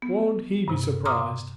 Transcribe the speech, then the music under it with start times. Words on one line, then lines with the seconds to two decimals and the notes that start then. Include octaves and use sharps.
"Won't he be surprised!"
0.02 B3
0.68 G2 C3
1.05 A#5 C6 D6 D#6 F6